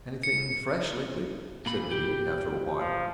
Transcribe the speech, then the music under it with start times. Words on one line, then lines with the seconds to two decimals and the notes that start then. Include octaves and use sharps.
"Anything fresh lately?" said Villiers after a while.
0.23 C#7
1.66 A#2 B5
1.92 G4
2.79 F3